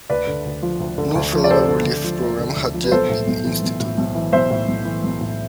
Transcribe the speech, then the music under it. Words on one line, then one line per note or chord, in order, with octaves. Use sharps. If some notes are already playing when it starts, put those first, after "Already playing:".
No federal relief program had yet been instituted.
D2 B4 D5
D3
D2
F3
D2
D3
D2
F3
D5
D2 A4 C5
D3
D2
F3
D2
D3
D2
F3
B4
B1 A4 C5
A2
B1
E3
B1
A2
B1
E3
B1 C5 E5
A2
B1
E3
B1
A2